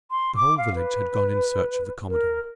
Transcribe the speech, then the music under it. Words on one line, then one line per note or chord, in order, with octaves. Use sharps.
The whole village had gone in search of the commodore.
C6
D6
F5
B4
A#4